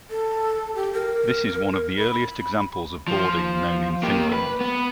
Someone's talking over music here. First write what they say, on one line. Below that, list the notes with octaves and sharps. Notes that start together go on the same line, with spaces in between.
This is one of the earliest examples of boarding known in Finland.
A4
G4
A#4
B5
F3
A#3 G4
B4
B3